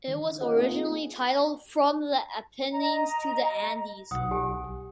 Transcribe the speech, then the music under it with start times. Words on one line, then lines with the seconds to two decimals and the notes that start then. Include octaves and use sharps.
It was originally titled "From the Apennines to the Andes".
0.08 D#3
0.41 C#4 F4 G#4 D#5 F#5
0.55 A#3 C4 D#4 F4 G#4
2.72 D#5 A#5
4.11 B1 F#5 D#6
4.31 G4 G#5